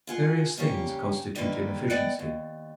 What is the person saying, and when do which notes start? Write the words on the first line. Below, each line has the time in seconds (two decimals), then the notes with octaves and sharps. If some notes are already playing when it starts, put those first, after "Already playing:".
Various things constitute inefficiency.
0.07 F4 G#4 F#5
0.57 G2 C#3 A#3 G4 C#5
1.36 D3 D#3 G3 A#3 B4
1.90 E2 G#3 B3 D5 F#5 G5
2.19 D#2